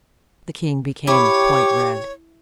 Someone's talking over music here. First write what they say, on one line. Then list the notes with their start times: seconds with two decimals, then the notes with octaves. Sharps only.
The king became quite red.
1.07 E4 G4 C#5 D6